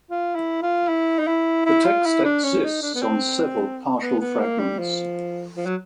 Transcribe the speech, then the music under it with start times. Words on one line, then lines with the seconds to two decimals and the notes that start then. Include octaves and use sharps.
The text exists on several partial fragments.
0.10 F4
0.35 E4
0.62 F4
0.88 E4
1.19 D#4
1.27 E4
1.66 E4
1.85 F4
2.05 E4
2.25 D4
2.43 C#4
2.64 D#4
2.83 D4
2.95 B3
3.02 C4
4.00 B3
4.19 B3
4.40 A#3
4.59 G3
4.79 F3
5.56 F3
5.66 F#3